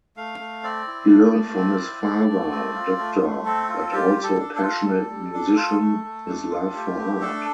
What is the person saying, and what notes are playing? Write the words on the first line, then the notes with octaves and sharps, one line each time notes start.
He learnt from his father, doctor but also passionate musician, his love for art.
A3 F5
A3
C4 D5
E4
A3
A3
C4
E4
A3
A3
C4
F4
A3
A3
C4 A4
F4
G3 G4
G3
A4
D4
A4
F4
G3
G3
D4
F4
A3
A3
D4
F4
A3 G4
A3
D4 A4